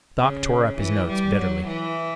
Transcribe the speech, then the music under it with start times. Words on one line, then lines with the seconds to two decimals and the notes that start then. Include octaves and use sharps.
Doc tore up his notes bitterly.
0.19 C#3
0.78 E3
1.08 G3
1.37 F#3
1.68 E3